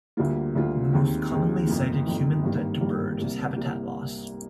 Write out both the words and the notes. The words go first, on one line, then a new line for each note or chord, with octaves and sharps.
The most commonly cited human threat to birds is habitat loss.
D2 D3 G3 A#3 F4
D2 D3 G3 A#3 F4
D#2 D#3 G#3 C4
D#2 D#3 G#3 C4
G1 F2 D#3 A#3
G1 F2 D#3 A#3
G#1 G2 D#3 G3 A#3
G#1 G2 D#3 G3 A#3
C2 C3 G3 A#3
C2 C3 G3 A#3